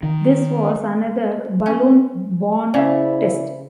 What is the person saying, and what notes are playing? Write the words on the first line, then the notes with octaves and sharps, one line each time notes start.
This was another balloon-borne test.
D#3
C#4
C#3 E4 C5 D5 E5